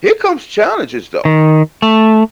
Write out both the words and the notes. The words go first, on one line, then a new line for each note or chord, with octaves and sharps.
here comes challenges, though.
D#3
A3